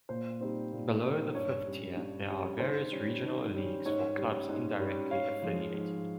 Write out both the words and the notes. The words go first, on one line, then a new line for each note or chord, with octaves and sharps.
Below the fifth tier, there are various regional leagues for clubs indirectly affiliated.
A#2 C5
G3 C4 D#4
A#2
G3 C4 D#4
G2 C#5
G3 C#4
G2
G3 C#4
D#3 C5
G3 C#4
D#3
G3 C#4
G#2 C#5
G3
C#4
G#2
G3 C#4
G#2 C#5 F5
F3 G#3
G#2